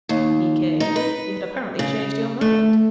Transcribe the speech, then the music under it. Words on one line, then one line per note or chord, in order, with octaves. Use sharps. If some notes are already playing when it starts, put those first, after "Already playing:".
'He came; you had apparently changed your mind.
D#2
D#4
B4
C#3
A3